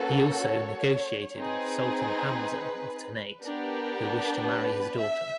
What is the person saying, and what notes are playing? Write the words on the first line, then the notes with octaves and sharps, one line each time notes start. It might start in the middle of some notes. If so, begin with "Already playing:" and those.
He also negotiated with Sultan Hamza of Ternate who wished to marry his daughter.
Already playing: A#3 C#4 F#4 A4 B4
C#5
C4 D#4 G#4 B4
B3 D4 G4 A#4
B4
E5